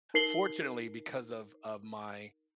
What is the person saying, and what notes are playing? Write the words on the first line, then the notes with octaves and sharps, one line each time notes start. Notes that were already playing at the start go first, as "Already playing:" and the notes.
fortunately because of of my,
D#4 A#4 C7 F#7 G7